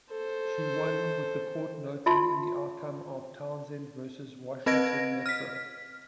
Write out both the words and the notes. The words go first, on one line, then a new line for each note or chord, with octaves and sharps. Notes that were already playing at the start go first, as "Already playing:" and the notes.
She won, with the court noting in the outcome of Townsend versus Washington Metro.
A4 C5
F4 E5 A5 B5 C6
C4 B4 D#5 G#6 A#6 D7
F6 B6